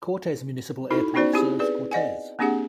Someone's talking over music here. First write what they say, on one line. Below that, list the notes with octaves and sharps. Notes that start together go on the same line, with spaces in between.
Cortez Municipal Airport serves Cortez.
D#4 E4 F#4 A4 B5
B3 C#4 D#4 F#4 C5 D5
C4 E4 G4 G#4
G#4 B4 D5
D5 D#5 F#5 G#5
A#3 C4 D4 G4 G#4 F#5